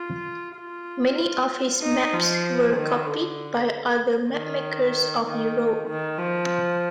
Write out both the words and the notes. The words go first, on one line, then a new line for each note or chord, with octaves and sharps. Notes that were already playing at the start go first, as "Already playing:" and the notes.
Many of his maps were copied by other mapmakers of Europe.
Already playing: F4
F4
D#4
F3
D#3
D3
D#3
D#3
D#3
F3